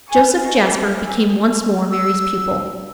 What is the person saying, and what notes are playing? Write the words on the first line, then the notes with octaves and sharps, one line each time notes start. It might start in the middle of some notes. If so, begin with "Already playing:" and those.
Joseph Jasper became once more Mary's pupil.
G#4 G#5 C#6 D6
A#5 F6
D#5 F5 A#5 C#6
G#4 A4 E5
B3 G4 D6 E6
D#6
E6